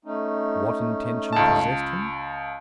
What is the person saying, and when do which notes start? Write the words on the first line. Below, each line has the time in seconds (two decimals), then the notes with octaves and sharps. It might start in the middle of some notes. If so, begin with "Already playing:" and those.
What intention possessed him?
0.05 A3 C#4 D#4
1.33 C#2 A5